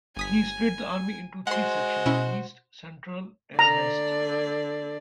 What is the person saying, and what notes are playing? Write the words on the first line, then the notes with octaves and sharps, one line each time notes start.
He split the army into three sections - East, Central and West.
G1 G#5 D#6 B6
G#3 F#4 C5 F#5 C6
B2 C#4 E4
D3 D5 A#5